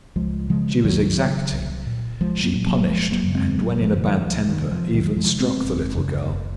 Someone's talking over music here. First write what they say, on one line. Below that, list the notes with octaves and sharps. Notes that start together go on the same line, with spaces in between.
She was exacting; she punished, and, when in a bad temper, even struck the little girl.
C#2 F3 G#3
C#3 F3 G#3
C#2 D#3 F#3
C#3
C2
A#2
C2 F3 G#3
F#3 A#3
A#2
F#3 A#3
F#1 F3 G#3
F#3 A#3
F#2 C#3
G#3 C4
F#1 F#3 A#3
F3
F#2 C#3
D#3 F#3
C2 F3
D#3
C3
F3
C2 D#3 F#3
F3 G#3
C3
G#3 C4
F#1
F#2 C#3
F#1